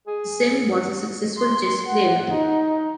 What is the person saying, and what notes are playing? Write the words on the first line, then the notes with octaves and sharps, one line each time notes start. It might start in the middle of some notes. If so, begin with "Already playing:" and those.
Zinn was a successful chess player.
G#4
C6
F#5
D#4